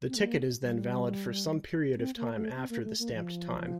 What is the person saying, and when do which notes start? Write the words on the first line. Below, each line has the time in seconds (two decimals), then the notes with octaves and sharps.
The ticket is then valid for some period of time after the stamped time.
0.09 C4
0.16 A3
0.23 A#3
0.62 G3
1.97 C4
2.17 A#3
2.36 A3
2.55 C4
2.70 A#3
2.84 A3
2.99 A#3
3.14 F3